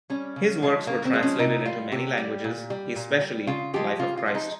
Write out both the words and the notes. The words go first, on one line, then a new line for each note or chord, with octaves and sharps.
His works were translated into many languages, especially "Life of Christ".
G3 C#4
C#3
F3 G#3
C#3 A#3
C4
F3 G#3
C#4
C3 D#4
G3 F4
C3 G4
G3
A#2
G3
A#2
G3
C#3 F4
F3 G#3 G4
C#3 F4
F4
F3 G#3
D#4